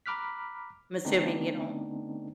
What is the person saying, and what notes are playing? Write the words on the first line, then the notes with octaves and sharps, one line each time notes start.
I'm assuming you don't
A#5 B5 D6 F6 F#6 B6
D3 A3 B3 C4 D4 D#4